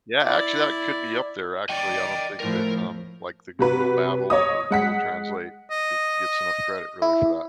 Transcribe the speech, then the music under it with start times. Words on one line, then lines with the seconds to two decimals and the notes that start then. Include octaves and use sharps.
Yeah, actually, that could be up there, actually, I don't think that, um, like, the Google Babble or Google Translate get gets enough credit, really, for that.
0.23 E4 D5
1.69 D5 D#5 G5
2.40 A2 F3 A#4
3.59 C3 F#4 B4
4.30 C#5 D#5 D#6
4.70 G#3 F#5 B6
5.71 D#5
7.02 E4